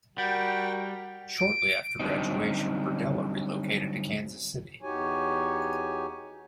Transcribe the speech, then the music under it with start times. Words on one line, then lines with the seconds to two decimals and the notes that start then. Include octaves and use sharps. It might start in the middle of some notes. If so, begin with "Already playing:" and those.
Shortly after graduation, Berdella relocated to Kansas City.
0.18 G3 F#4 A#4 F#5 G5
1.38 D7
2.00 G2 D3 F#3 G3 C4 D#4
4.82 E2 D#4 F#4 G4 C#5 G#5